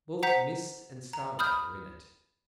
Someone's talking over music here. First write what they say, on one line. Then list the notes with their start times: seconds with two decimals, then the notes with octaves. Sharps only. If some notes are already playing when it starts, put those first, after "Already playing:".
Both mist and starlight are in it.
0.23 C5 F#5 A#5 G6 B6
1.13 A#5
1.39 B5 D#6 F6 G6